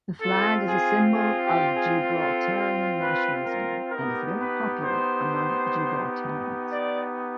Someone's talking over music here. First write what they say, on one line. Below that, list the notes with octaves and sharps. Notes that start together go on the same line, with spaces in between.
The flag is a symbol of Gibraltarian nationalism, and is very popular among Gibraltarians.
C4 F4 A4
G#4
G#4
G4
G#4
A4
B4
A#4
B3 D#4 G4 A#4
B4
C5
D5